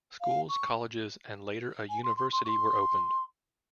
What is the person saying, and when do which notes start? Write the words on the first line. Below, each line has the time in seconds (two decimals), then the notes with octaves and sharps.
Schools, colleges and later a university were opened.
0.21 F5
0.49 C#6
1.89 G#5
2.03 C6
2.17 C6
2.32 C6
2.45 C#6
2.48 C6